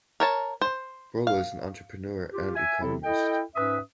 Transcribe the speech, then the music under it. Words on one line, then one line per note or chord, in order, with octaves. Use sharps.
Brolo is an entrepreneur and economist.
A#4 C#5 A5
C5
F5
F4 G4
E5 G#5
C3 F#3 C4 E4 A4
E4 A4 D#5 G5
G#2 C#4 B4 E5 D#6